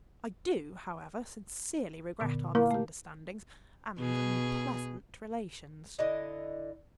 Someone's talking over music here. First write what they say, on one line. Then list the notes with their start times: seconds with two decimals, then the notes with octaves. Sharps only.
I do, however, sincerely regret our misunderstandings and unpleasant relations.
2.20 A#2 D3 B3
2.55 A#3 E4
2.71 A3 G4
3.98 B2 G#4
5.99 D3 E4 D#5